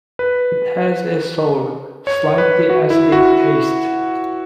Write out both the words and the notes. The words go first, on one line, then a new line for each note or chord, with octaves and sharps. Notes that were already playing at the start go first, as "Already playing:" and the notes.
It has a sour, slightly acidic taste.
B4
C#5
C#5
B4
F#4
E4
F#4